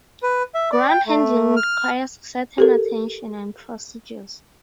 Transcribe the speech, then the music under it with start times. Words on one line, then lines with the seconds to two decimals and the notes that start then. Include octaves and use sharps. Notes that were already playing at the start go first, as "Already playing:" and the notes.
Ground handling requires certain attention and procedures.
0.23 B4
0.54 E5
0.72 D5
0.88 G5
1.07 A3
1.57 F6
2.58 G4 A4 A#4